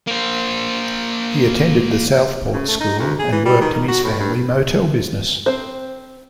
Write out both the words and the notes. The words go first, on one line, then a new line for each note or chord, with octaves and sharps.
He attended The Southport School and worked in his family motel business.
A#3 C5
C#3
A3
D#4
D2
G#4
E3
G3
D#3
D#3
F#4
A2
G2
C4 C5